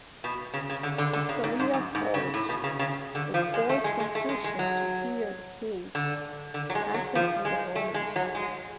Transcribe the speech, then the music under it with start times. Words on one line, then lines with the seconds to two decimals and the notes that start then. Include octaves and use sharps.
Scalia calls the Court's conclusion to hear the case "patently erroneous".
0.24 B2
0.54 C#3
0.70 C#3
0.83 D3
0.98 D3
1.13 D3
1.29 C#3
1.44 G#2
1.60 G#2
1.73 F#2
1.95 G#2
2.14 C#3
2.34 A2
2.49 B2
2.64 C#3
2.79 C#3
3.15 D3
3.34 F3
3.54 G#3
3.69 A3
3.84 G#3
4.00 G#3
4.15 A3
4.29 G#3
4.44 G#3
4.59 F#3
5.95 D3
6.54 D3
6.70 F#3
6.75 G#3
6.94 F#3
7.15 F3
7.45 G#3
7.75 A3
7.94 G#3
8.16 F#3
8.35 G#3